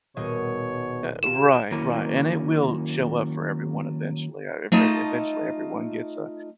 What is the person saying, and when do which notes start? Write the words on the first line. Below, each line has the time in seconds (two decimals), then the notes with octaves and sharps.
Uh, right, right, and it will show up for everyone eventually, ever eventually, everyone gets, uh,
0.17 D#1 B2 G#4 C#5 D#5
1.23 F4 G4 E7
1.72 D#3 F#3 A#3 C#4 E4 A#4
4.72 A3 D#4 F4 D#5 A5